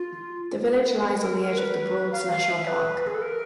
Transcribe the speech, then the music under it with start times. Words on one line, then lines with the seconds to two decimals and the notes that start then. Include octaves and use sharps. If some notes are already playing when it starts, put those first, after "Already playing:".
The village lies on the edge of The Broads National Park.
Already playing: F4
1.21 A#4
1.38 A#4
1.58 B4
2.12 F5
2.29 F5
2.48 E5
2.67 B4
3.07 G#4
3.15 A4
3.22 A#4